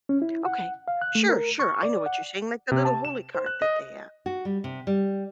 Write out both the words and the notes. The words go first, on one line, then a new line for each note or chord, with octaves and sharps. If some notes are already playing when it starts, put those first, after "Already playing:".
Okay, sure, sure, I know what you're saying, like, the little holy card that they have.
C#4
E4
F#5
F5
F#6
A3
A#4
C#6
D5
F#5
C3
A5
E7
C5
F#6
D#5
F#4
G3
C3
G3